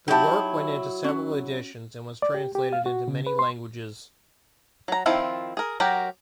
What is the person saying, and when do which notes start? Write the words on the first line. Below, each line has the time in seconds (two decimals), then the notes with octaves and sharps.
The work went into several editions and was translated into many languages.
0.08 F#3 D#4 E4 G4 A5
1.04 C#4 F#4
2.22 D5
2.34 G4
2.55 G4
2.73 F5
2.86 F#4
3.08 C#3
3.27 B4
3.39 C6
4.88 F#3 A#5
5.06 D#3 F3 C4 E4 F4
5.57 G#4 A#4
5.80 F#3 F#4 G4 A#4